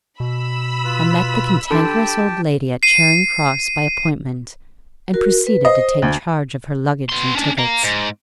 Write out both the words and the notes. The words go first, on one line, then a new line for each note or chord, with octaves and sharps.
I met the Cantankerous Old Lady at Charing Cross, by appointment, and proceeded to take charge of her luggage and tickets.
B2 B5 E6
F4 B4
D3 G4 G5 A5
C7 D#7
F#4 A#4
B4
C5 D#5
D2 A5
B3 C6
C#4 D4
F5 A#5
G#2